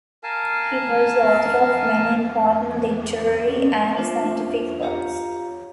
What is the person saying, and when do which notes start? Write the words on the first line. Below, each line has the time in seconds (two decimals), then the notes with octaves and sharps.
He was the author of many important literary and scientific works.
0.24 A#4 F5 G#5 A5
3.97 D4 F4 C5 E5
4.82 F4 G4 C#5 F5 A#5